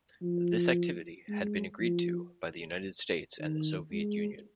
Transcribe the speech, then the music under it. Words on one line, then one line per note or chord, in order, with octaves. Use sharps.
This activity had been agreed to by the United States and the Soviet Union.
F3
G#3
F3
D#3
G#3